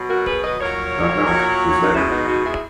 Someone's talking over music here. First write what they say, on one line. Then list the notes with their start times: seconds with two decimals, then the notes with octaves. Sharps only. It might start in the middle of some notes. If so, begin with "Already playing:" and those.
Knock knock! Who's there?
Already playing: B2 F#3
0.10 F#4 A#4
0.26 G#4 B4
0.43 B4 D#5
0.60 A#2 F#3 A#4 C#5
1.27 A#2 F#3
1.83 D#4
1.94 B2 G#3 C#4 E4
2.11 B3 D#4
2.28 D#4 F#4
2.44 E4 G#4